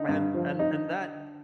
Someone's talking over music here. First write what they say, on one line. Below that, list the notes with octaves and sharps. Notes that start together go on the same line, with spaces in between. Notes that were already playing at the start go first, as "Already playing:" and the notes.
and and and that
Already playing: D3 D#4
G2
F3
D#4